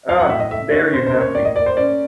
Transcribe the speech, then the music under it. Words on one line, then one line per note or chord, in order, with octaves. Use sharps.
Ah, there you have me.
F#3 F5
F#5
A2 E5
D#5
A3 E5
D3 C#5
C#4 C5
C5
A#3
C#5
A2 D5
D#5
A#3 D5
C5
C#4 D5